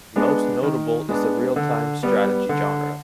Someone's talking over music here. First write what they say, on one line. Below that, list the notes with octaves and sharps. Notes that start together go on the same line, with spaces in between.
Most notable is the real-time strategy genre.
G#3 B3 D4
D#3
G#3 B3 D4
D3
G3 B3
D3